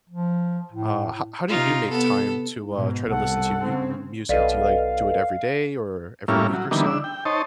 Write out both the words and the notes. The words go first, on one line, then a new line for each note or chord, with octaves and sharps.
uh, how how do you make time to, uh, try to listen to mu music? Do you, like, do it every day or every week or so?
F3
A2
C3 D#4 F4
B3 A4
G#2 B2
C2 A4 F#5
C#3 C4
B1 A4 B4 D5 D#5 F5
A2 G3 A#3 C#4 E4 F5
F#3
D3 E3 G3 A#3 B3 D#4
D4 E6
G5
D#4 C5 C#5 D#5 A5